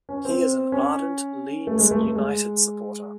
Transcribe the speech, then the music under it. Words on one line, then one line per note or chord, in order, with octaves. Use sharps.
He is an ardent Leeds United supporter.
C#4
C4
C#4
A3
G#3
A3
A3
G#3